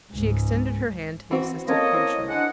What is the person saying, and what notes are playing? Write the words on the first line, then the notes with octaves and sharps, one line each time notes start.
She extended her hand to the Assistant Commissioner.
C#2 G#2
E3 C4 F#4
A#3 C4 C#4 A4 C#5 D#5
E4 C5
G#3 D4 F#5